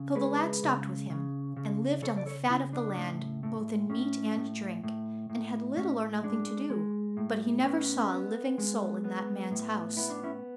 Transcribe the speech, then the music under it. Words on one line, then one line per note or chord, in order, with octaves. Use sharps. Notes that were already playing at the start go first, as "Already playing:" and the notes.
So the lad stopped with him, and lived on the fat of the land, both in meat and drink, and had little or nothing to do; but he never saw a living soul in that man's house.
Already playing: C#3
G#3 G#4 B4
C#3
C#3
C#3
C#3 A4 C#5
D5
A4 C#5
C#3 C#4 E4
D4
A2
A2
A2 C#4
A2
A2
A2
A2 C#4
G#3 D4
G#3
A2
B3 C#4
B3
G#3
B3
A2
B3 E4
D4
C#4 E4